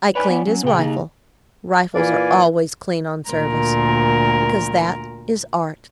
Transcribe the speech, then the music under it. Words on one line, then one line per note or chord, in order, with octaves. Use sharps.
I cleaned his rifle,--rifles are always clean on service,--because that is Art.
B4 C#5 D5 G#5
B3
F#3 C#4
A#2 C#3 G5
A#3 D#4
A#2 E3 F4 D5 F5 G#5
D2 A#2 A#4